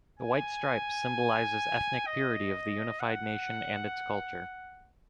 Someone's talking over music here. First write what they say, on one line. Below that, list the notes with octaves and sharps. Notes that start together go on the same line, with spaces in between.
The white stripes symbolizes ethnic purity of the unified nation and its culture.
G#5
D#5
F#5